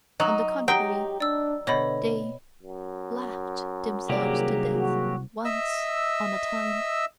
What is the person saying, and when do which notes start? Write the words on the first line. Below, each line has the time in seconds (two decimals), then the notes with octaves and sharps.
On the contrary, they--LAUGHED themselves to death once on a time!
0.20 F#3 D#4
0.68 F#3 G#3 D#4 G4 G5
1.20 D4 D5 E6
1.67 B2 D3 C#5 D#5 B5
2.62 F#2
4.09 C2 D#3 F#3 A#3 G4 G#4 D5
4.75 F#4
5.45 D#5 E5 E6